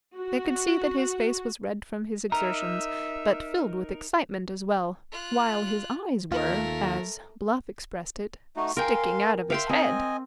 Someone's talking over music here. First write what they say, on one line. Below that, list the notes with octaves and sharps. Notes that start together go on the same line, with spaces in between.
They could see that his face was red from his exertions, but filled with excitement as well; while his eyes were, as Bluff expressed it, "sticking out of his head!"
F#4
D#4 A#4 E5 A#5
F4 F#6
D#2 A3 F4 A#4
A3 D#4 F#4
A#4 F5 G5 G#5 C6
E5 F5 G5 C6
C4 D#5 G#5